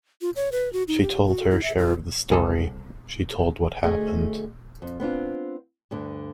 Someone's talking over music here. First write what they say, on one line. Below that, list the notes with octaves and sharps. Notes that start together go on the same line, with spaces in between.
She told her share of the story — she told what happened.
F4
C#5
B4
F#4
D#4
G4
F#4
E4
E5
F4
C2 G#4 A4
D2 A3 G#4 D#5
F2
B3 C4 D4 F4
D2 G2 D3